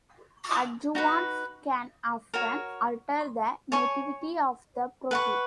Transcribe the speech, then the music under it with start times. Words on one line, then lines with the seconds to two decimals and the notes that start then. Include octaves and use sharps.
Adjuvants can often alter the nativity of the protein.
0.95 D#4 F#4 B4
2.34 F#4 A#4 C#5
3.72 C#5 G#5 C#6
5.11 B4 F#5 C#6